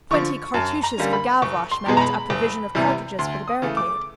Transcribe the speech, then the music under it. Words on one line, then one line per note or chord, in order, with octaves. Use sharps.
Twenty cartouches for Gavroche meant a provision of cartridges for the barricade.
D3 F3 C#6
F#2 A5
A#5
D3 G3 A#3 C#4
B5
F#1 C#6
C6
E2 B2 G#3 B3
A#5
B5
F#1
E2 C3 E3 G3
D2 C6
D#6
C#3 E3 A3
D6